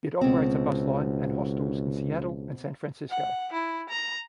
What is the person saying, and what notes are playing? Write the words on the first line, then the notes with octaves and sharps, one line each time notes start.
It operates a bus line, and hostels in Seattle and San Francisco.
C#2 B2 C4
F#5
E4
A#5